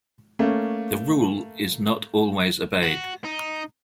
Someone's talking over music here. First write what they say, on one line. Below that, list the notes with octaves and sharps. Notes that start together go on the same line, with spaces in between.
The rule is not always obeyed.
A3 A#3 C#4
F#4
D#4